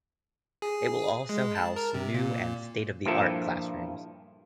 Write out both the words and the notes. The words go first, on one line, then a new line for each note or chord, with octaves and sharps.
It will also house new and state-of-the-art classrooms.
G#4
G#3
A5
A#4
C3
A#2
G2 A#2 F3 E4 A4